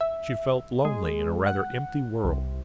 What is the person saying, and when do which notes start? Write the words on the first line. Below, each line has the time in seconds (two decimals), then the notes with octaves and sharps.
She felt lonely in a rather empty world.
0.01 E5
0.85 G#3
1.46 F#5
2.24 C2